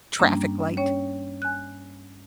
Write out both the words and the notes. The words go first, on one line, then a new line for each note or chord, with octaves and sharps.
traffic light?
G2 G3 A#3 C#4 D4 A#5
C#4 C#5 G5
G#5 F#6